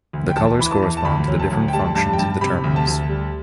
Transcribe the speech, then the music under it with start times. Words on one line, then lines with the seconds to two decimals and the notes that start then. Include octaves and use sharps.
The colors correspond to the different functions of the terminals.
0.13 D2
0.29 G5
0.36 E2 A5
0.59 E3 B5
0.71 A5
0.82 E2
0.97 A5
1.05 D2 B5
1.28 F#3
1.39 A5
1.50 D2
1.68 G5
1.73 G3 A5
1.95 G2 A5
2.13 G5
2.19 G2 A5
2.41 C3 B5
2.64 D2
2.76 A5
2.87 D2
3.09 G3